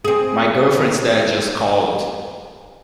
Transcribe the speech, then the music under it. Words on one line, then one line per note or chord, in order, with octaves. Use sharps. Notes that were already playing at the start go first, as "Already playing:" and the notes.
My girlfriend's dad just called.
C4 G#4